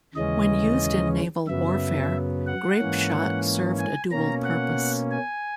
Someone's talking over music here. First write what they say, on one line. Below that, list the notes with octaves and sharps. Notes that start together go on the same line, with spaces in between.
When used in naval warfare, grapeshot served a dual purpose.
D#2 C#3 E3 G#3 C#4 D#5
F#2 C#3 F#3 B3 E5
F#5
G#2 E3 A#3 C#4
G#5
B2 A#3 C#4 A#5
F#5
G#5